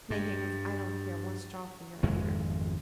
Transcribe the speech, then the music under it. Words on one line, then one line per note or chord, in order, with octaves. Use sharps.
Nay, Higgins, I don't care one straw for your anger.
G2
G#1 F2 G#3